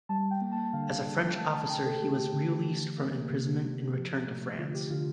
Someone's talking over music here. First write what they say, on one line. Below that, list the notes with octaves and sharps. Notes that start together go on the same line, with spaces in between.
As a French officer he was released from imprisonment and returned to France.
G3 A5
G5
A#3
A5
D3 F5
D3
A3 A5
A5
D3 G5
A4
A3 G4
D3
E3
A#3
C3
C3
F3
A3
D3 F4
G4
D3 F4